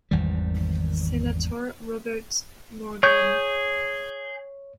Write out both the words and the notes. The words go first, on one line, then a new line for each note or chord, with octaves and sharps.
Senator Robert Morgan.
G#1 E2 D#3 G3
G#4 C#5 G6